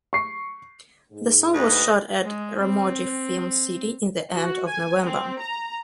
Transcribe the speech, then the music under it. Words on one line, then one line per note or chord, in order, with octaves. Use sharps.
The song was shot at Ramoji Film City in the end of November.
C#6 C7
G#2
D2 B4 D#5
G#3
C4
F#4
G#5
C4
A#5